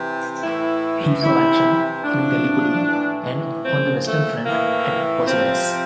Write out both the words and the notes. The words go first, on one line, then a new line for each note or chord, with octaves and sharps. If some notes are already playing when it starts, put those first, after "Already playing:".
He saw action in Gallipoli and on the Western Front at Pozieres.
Already playing: C3 E3
A2 E3 E4
C3 E3 E4
A2 F3 D4
A2 E3
A#2 F3 C4
A3
A2 E3 A#3
C3 F3 C4